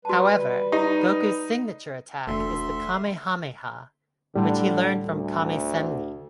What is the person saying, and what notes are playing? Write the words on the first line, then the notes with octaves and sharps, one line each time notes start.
However, Goku's signature attack is the "Kamehameha", which he learned from Kame-Sen'nin.
G3 F#4 B4 A5
D#4 G4 A#5
E1 D2 A3 E5 C6
A2 D3 G3
D2